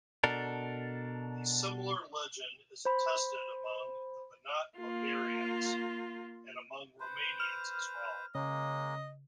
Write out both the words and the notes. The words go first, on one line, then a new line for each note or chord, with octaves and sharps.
A similar legend is attested among the Banat Bulgarians and among Romanians as well.
B2 D4 A4 A#4
C5 B5
A#3 F4
B4 C5
F6
C#3 G#3 A#3 D#5